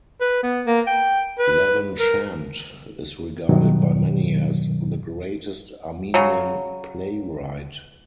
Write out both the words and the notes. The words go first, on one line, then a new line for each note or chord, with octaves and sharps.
Levon Shant is regarded by many as the greatest Armenian playwright.
B4
B3
A#3
G5
B4
A#4
G2 B2 D#3 F#3
C#3 F#3